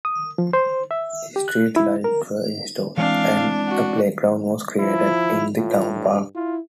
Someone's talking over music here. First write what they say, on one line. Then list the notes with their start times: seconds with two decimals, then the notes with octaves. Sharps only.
Street lights were installed, and a playground was created in the town park.
0.05 D#6
0.38 F3
0.53 C5
0.91 E5
1.36 G4
1.48 F#6
1.76 E4
2.04 A#4
2.97 E3 G#3 C4 D4 F5
3.68 F#4
4.79 F3 E4
5.56 A2 F4
5.96 G2
6.35 E4 F4